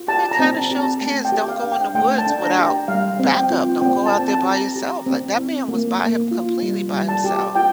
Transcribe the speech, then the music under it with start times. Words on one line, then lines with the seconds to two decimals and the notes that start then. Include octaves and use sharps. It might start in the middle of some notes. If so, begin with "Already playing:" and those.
And it kinda shows kids don't go in the woods without backup. Don't go out there by yourself. Like, that man was by him completely by himself.
Already playing: F4
0.08 G4 A5
0.31 A#5
0.39 C4
0.55 A5
0.71 G4
0.79 A5
1.01 A3 A5
1.25 G5
1.32 G4
1.48 F5
1.64 D4
1.72 G5
1.94 A3 G5
2.18 A5
2.26 D4
2.42 A#5
2.57 G4
2.64 G5
2.88 G3 F5
3.20 C4
3.35 G5
3.50 F4
3.81 C4 G5
4.06 A5
4.12 C4
4.28 A5
4.43 G4
4.52 A#5
4.76 G4
5.06 C4
5.37 E4
5.68 A#3
6.00 A#3
6.31 F4
6.62 G3
6.93 G3
7.09 A5
7.24 G4
7.55 F4 G5